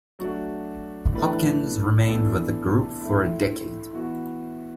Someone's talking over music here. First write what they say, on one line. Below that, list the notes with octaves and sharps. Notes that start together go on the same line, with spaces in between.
Hopkins remained with the group for a decade.
F#3 A3 D4 F#4
A2 E3 A3 D4 B4
E3 B3 D4 A4
A2 A3 E4
E3 B3 F#4